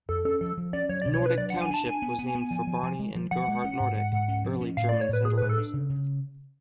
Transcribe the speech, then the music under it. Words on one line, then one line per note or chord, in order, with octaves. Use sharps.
Nordick Township was named for Barney and Gerhard Nordick, early German settlers.
F2 A4
C#4 A4
F3 A4
F3
C#4 D5
F#3 C#5
D5
B2
C#5
D4 B4
F#3 D5
F#5
D4
G#5
D4 A5
D4 G#5
B3
B3
B3
F3
F3
F3
G#3
F3
F3 F#5
G#3
C#4
G#2
G#3
G#2
C#4
F3
C#4
A2 F5
D5
A3
C#5
A2 B4
A2 G#4
B4
A2
A4
D4
C#3
C#3